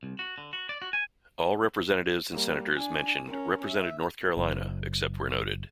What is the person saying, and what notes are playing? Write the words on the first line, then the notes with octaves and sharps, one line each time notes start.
All representatives and senators mentioned represented North Carolina except where noted.
C2
F#4
D3
F#4
D5
F#4
G#5
G3 A#3
D4 G#5
C#4 A#4
E5
F#1